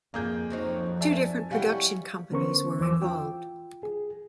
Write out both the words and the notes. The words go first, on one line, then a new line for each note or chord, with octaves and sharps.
Two different production companies were involved.
F2 A#3 G#4 G6
F#3 C4 D#4
D5 E5 G#5 A5
F#3 G3 E4 G4 F5 F#5 G#5
D3 B3 C#4 A#4 C5 C#6
E2 E3 C5 D6 E6
F4 G5
G#4